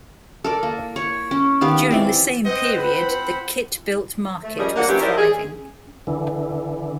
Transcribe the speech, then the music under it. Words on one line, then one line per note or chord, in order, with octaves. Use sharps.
During the same period the kit-built market was thriving.
A4 A#4 D5
A#3
C#5
C#4
D#3 B3 G4 F5
E3 C4 D5
C4 B4 C5 D#5 F#5
B5
A3
F3 G3 C#4 G#4 A#4 D#5
A#3 D4 F#5
E3 F#3 C#4 F4 G4
E4 G4 A#4 C5 D5 D#5
G#4
D3 E3